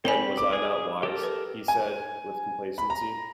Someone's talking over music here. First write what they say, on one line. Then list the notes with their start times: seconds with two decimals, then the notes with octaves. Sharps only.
"And was I not wise?" he said, with complacency.
0.05 C4 A#4 D5 G#5 B5
0.37 D6
0.53 G#4
1.03 G4 A4 A#4
1.23 B4
1.68 G#5
2.78 B5
2.90 A#5